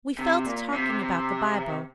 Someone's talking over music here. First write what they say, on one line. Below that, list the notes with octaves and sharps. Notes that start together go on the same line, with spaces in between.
We fell to talking about the Bible.
C3
A#2
C3
C3